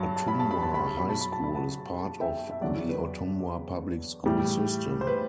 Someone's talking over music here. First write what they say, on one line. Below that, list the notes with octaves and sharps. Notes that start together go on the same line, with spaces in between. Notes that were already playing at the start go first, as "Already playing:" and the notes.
Ottumwa High School is part of the Ottumwa public school system.
Already playing: G2 F#3 A5
A5
B5
A5
B5
A5
B5
A5
B2 F#3 B5
A5
B5
A5
B5
F#5 A5
E5 G5
E5
E2 D3 F#3 D5 F#5
B4
A2 E3 G3
C5
B4